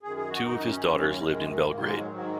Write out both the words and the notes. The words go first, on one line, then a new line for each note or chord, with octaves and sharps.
Two of his daughters lived in Belgrade.
F#2 D#3 G#4
G#4
F#4
F#2 D#3 D#4
C#4
F#2 D#3 C#4
C#4
A#3
G#3
F#2 D#3 G#3
G#2 D#3 A#3
G#3
F#3
G#2 D#3 F#3